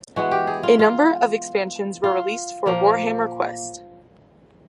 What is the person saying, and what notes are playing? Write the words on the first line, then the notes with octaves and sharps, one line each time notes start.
A number of expansions were released for Warhammer Quest.
E3 G#3 B3 F#4
G4
G#4
F4
F4
F4
A#2 F3 A#3